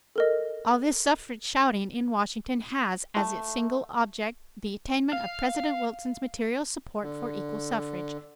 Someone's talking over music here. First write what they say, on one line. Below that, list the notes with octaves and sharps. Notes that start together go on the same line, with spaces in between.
All this suffrage shouting in Washington has as its single object the attainment of President Wilson's material support for equal suffrage . . . .
A4 A#4 D#5
A3
F5
D3